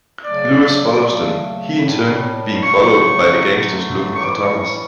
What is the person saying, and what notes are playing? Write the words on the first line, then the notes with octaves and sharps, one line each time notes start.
Lewis follows them, he in turn being followed by the gangsters looking for Thomas.
C#3 F#3 A3 D5
C#3 F#3 A3
A2 G3
C#3 F#3 A3 C#6
D3 F#3 A3
C#6
A2 E3 G3 D6
C#6
C#6